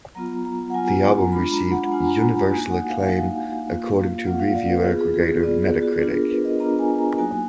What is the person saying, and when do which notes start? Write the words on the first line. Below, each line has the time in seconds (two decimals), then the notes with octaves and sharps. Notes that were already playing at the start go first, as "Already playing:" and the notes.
The album received "universal acclaim" according to review aggregator Metacritic.
0.15 F#3 B3 F4 A#5
0.45 A#5
0.70 F#5
0.74 F#3 B3 F4 G#5
1.03 A#5
1.32 G#3 D4 F4 B5
1.52 A#5
1.71 F#5
1.92 G#3 D4 F4 G#5
2.06 A#5
2.35 A#5
2.50 A#3 D#4 F#4 G#5
2.70 F#5
2.89 F5
3.08 A#3 D#4 F#4
3.67 A#3 F4
4.25 A#3 F4 F#5
4.40 F5
4.55 D5
4.70 B4
4.84 B3 F4 G#4
4.99 G#4
5.14 G#4
5.28 G#4
5.43 B3 F4 D5
5.63 G#4
5.82 F#4
6.01 B3 D4 F4 G#4
6.15 A#4
6.31 B4
6.45 D#5
6.60 B3 D4 F4 A#5
6.79 G#5
6.99 A#5
7.18 F#3 A#3 D#4 F#4 G#5